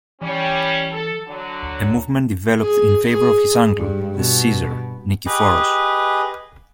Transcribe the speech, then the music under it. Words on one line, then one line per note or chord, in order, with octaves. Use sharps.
A movement developed in favor of his uncle, the "Caesar" Nikephoros.
E3 G3 C#4
A4
D3 F#3
D2
G#4
G#4
G2
B2
G4 G#4 B4 D#5